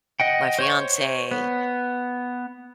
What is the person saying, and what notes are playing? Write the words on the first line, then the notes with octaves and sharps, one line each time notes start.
my fiance.
D#5 F#5 G5
C5 C#5 C#6
B3